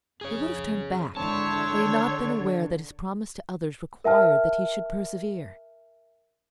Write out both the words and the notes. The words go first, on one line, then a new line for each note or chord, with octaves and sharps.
He would have turned back had he not been aware that his promise to others required that he should persevere.
F2 G#4 C#5
G#2 D3 C4 D4 E4 C#5 A5
D3
A#4 E5 G5 A5 F6